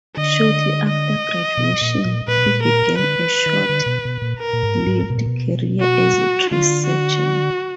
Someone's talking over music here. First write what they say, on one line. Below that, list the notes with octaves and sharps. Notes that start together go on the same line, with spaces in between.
Shortly after graduation, he began a short-lived career as a tree surgeon.
D3 D#5
D#5
B2
A#2
A#2
A#2 B4
B2
A#2
A#4
D3 B4
D#3
D3
B2
B2
A#2
A#4
A#2
G#2
G#2
B2
A#2
B2
F#4
D3 F4
F#4